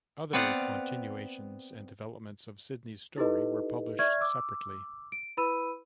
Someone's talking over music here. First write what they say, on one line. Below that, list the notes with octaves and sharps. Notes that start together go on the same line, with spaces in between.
Other continuations and developments of Sidney's story were published separately.
B3 C4 B4 D5 F5 F#5
D#4 E4 G4 A4 B4 D#5
D5 E5 C#6 F6 G#6
D6 E6
D7
E4 B4 B5 E6 D#7